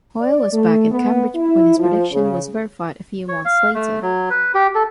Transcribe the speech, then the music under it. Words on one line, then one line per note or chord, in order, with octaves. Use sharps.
Hoyle was back in Cambridge when his prediction was verified a few months later.
D5
A3
B3
E4
F3
C#3
C#5
F5
A3
F#3
B4
G4
A4